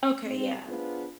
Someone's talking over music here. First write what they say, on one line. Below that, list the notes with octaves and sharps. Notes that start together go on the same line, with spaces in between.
Okay, yeah.
C4
B3 D4 F4 G#4 B4 C5